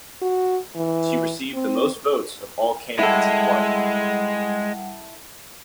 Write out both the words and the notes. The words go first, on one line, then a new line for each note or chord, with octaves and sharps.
She received the most votes of all candidates in the party.
F#4
E3
C4
G3 G#3 E4 A4 F#5